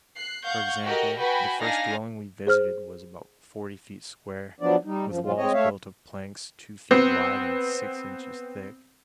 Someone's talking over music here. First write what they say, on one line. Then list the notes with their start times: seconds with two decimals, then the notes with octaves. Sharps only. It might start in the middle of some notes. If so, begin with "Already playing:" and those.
For example, the first dwelling we visited was about forty feet square, with walls built of planks two feet wide and six inches thick.
0.16 F#6 C7
0.45 F5 F#5 C#6 G6
0.83 F#4 G4 A4 A#4 D#5
1.19 F#4 B4 G5 G#5 B5
1.62 D4 D#4 F5 G#5 A#6
2.47 G#4 C5 F6
4.60 F3 F#3 B3 D4 D5
4.84 G3 D#4
5.07 F#2 F3
5.24 B2 F#3 F4
5.37 G#3 C4 C#5 D#5
5.53 A3 C#5 E5 F5
6.91 B3 C4